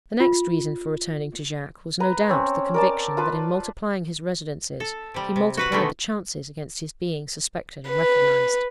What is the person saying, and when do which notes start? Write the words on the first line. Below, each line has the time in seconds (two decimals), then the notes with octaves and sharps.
The next reason for returning to Jacques was, no doubt, the conviction that, in multiplying his residences, he multiplied the chances against his being suspected and recognized.
0.20 F4
2.00 B4 A#5
2.29 C4 C#4
2.74 A#4 D5 A5
3.17 F4 B4 A5
4.80 A4
5.14 C3 G3
5.36 C3
5.57 F#4 B4 F#5
5.72 B2 D3 D#3 G#3 A3
7.89 B4